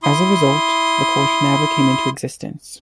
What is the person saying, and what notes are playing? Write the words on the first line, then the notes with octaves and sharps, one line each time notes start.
As a result, the court never came into existence.
E4 C6 D#6